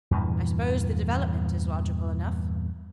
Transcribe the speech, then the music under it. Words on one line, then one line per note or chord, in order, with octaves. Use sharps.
I suppose the development is logical enough.
E2 G2 A#2 E3